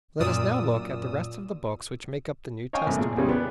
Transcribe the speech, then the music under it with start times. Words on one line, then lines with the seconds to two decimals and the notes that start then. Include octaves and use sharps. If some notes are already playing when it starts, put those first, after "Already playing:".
Let us now look at the rest of the books which make up the New Testament.
0.20 F#2 A#2 F4 D5 D#6 E6
2.73 C#5 D#5 F5 G5 G#5 C#6
2.86 A1 F#2 A2
2.99 A#2 G#4
3.17 F2 C#3 E3 G3 G#3 C#4
3.29 B3 D4 G4 G#4 B4